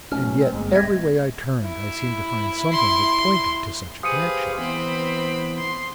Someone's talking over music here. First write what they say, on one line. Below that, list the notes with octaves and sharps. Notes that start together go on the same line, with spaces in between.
And yet, every way I turned I seemed to find something that pointed to such a connection.
B2 F#3 A3 C#4 F6
C4
G1 G#3 A#3
D#1 C4 E5 G#6 A#6
E4
C6
G4 G#4 B4 C5 F5 D#6 C#7 D#7
E3 B3 C4 B5
C6